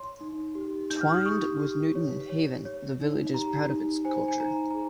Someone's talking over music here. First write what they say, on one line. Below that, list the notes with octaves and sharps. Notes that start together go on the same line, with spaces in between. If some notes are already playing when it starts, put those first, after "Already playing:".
Twinned with Newton Haven the village is proud of its culture.
Already playing: C#5 C6
D#4
G4
D#4 G6
F6
D#6
G4 C#6
G4
C#5
C#5
C#5
D#4
G4 A#5
D#4
C5 G#5
G#5
D#4 A#5
A#5
G#4